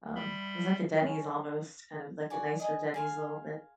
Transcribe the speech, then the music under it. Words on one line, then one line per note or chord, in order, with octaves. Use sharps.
Um, it was like a Denny's almost, kind of like a nicer Denny's a little bit
G3 E5 B5 C6
C#4
F#4 D5 G#5
D#5 G#5
G#4 F5 C6